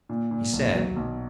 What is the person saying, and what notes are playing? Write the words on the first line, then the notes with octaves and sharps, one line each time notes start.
He said...
A#2
A#2
B1
F#3
B1